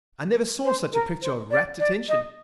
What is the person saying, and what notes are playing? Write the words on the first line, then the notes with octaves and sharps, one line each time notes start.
I never saw such a picture of rapt attention.
C5
A#4
C5
D5
D5
D#5